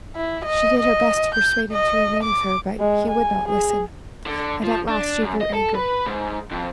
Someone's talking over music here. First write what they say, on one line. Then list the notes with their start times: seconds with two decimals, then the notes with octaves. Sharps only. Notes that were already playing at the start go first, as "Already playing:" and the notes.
She did her best to persuade him to remain with her, but he would not listen, and at last she grew angry.
0.16 E4
0.45 D#5
0.79 D#5
1.35 G6
1.72 D#5
2.24 D6
2.80 G#3
3.09 G#5
3.48 G#4
4.27 D3
4.64 F3
4.89 D4
5.23 F#2
5.41 D#5
5.54 A4
5.75 B4
6.06 G#2
6.52 F2